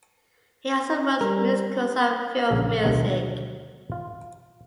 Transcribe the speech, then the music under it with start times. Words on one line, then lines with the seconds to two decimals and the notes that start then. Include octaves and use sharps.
He also wrote musicals and film music.
1.21 G3 A#4
2.50 A#1 C#3 A4
2.84 D2 B2 D#3 F#3 G3 A3
3.92 F4